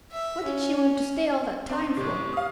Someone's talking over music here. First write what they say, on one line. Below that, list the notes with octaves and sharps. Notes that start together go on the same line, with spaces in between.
What did she want to stay all that time for?
E5
C#4
C4 D4 C6
A2 C3
F5 D#6